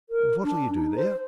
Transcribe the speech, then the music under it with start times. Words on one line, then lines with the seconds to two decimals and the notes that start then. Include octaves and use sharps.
And what'll you do there?
0.10 A#4
0.44 D4
0.74 D#4
0.96 C5